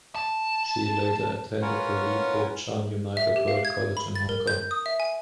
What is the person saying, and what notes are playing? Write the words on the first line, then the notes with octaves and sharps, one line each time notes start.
She later attended the Li Po Chun United World College in Hong Kong.
A5
C#4 F4 A#4 B4 C#5 F#5
E5
G4
F5
G#6
B5
A6
A#4
G6
D#6
E5
G#5